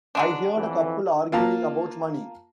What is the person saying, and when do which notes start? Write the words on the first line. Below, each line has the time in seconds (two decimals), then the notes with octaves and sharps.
I heard a couple arguing about money.
0.15 F#3 G#3 D4
0.57 F2 E3
1.32 A#3 F4 F5 A5 A#5